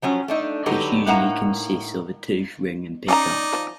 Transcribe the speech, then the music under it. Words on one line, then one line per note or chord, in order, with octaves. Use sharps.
It usually consists of a toothed ring and pickup.
F3 F#3 C#4
A3 D4 D#4
D3 F#3 D#4 G4 A4 B4
A2 A#3 D4 D#4 F#5 A#5
C#4 D#4 D5 G#5 A#5
F3